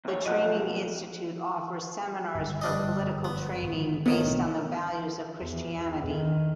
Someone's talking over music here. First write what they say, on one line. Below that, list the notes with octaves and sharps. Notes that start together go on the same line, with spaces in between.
The Training Institute offers seminars for political training based on the values of Christianity.
D2 G#2 C#5
B1 F3 D#5 F#5
G1 F#2
G3 D4 D#5
B3
G#1 D3
A2 D#3 F3 B3
B1 A3 D4
E2
D#3